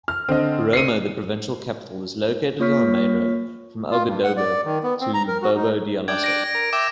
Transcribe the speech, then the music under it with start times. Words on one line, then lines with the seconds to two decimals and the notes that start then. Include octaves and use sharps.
Boromo, the provincial capital, is located on the main road from Ouagadougou to Bobo-Dioulasso.
0.08 F6
0.29 D3 C4 D#5
0.73 C7 C#7 D#7
2.60 A#3 F4 C#5 C#6 F6 B6
3.91 F4
4.07 G2
4.24 F#5
4.37 D5
4.65 D#3
4.83 B3
5.01 C4
5.14 A#5
5.28 A#4
5.42 F#4
5.56 D#4
6.08 D4 D5 G5 G#6
6.24 A#6 D7
6.55 A#4
6.73 E5 G5 D6 E7